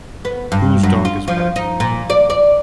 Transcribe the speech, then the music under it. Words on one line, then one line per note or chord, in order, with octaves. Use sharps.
Whose dog is barking?
B3
G2
F#2
F4
F3
D#4
A#2
D5
D5